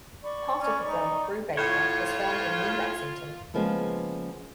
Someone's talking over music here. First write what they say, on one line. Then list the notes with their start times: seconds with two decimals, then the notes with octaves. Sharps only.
Part of the film "Brubaker" was filmed in New Lexington.
0.23 D5 B5 C#6
0.61 C#4
0.88 D#4
1.57 A2 F4 C#5
3.54 C#3 F3 G#3 A#3 B3